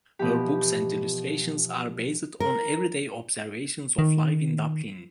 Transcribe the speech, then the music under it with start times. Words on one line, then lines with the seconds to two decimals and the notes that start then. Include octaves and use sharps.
Her books and illustrations are based on everyday observations of life in Dublin.
0.19 B2 E3 F3 G4
2.40 A#4
3.99 D#3